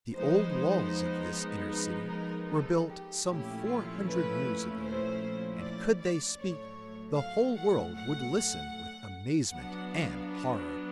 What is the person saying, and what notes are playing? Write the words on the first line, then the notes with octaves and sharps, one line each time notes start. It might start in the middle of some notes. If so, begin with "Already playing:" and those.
The old walls of this inner city were built some four hundred years ago and could they speak, the whole world would listen with amazement and horror.
F3 G#3 B3 D#4 C5
B4
A#4
A4
G4
A#2 F3 A3 C#4 E4 G4
F4
B4
C5
D5
D5
A2 F#3 A3 C#5
F5
F#5
F#5
F#3 B3 D4 F#5
F5
B4